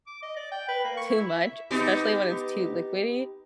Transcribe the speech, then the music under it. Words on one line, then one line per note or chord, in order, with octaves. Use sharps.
too much, especially when it's too liquidy.
D6
D#5
D5
G5
B4
A#3
C#6
E4
E5
B3 D#4 G4